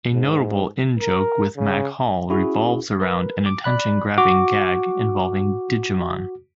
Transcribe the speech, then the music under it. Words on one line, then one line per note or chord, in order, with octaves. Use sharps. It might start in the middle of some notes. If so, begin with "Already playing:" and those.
A notable in-joke with Mac Hall revolves around an attention grabbing gag involving "Digimon".
G#2
A#4
C#3
C#4 E4 F#4 G#4
A#4 B4
D6
D5 B5 F#6
F#4 D6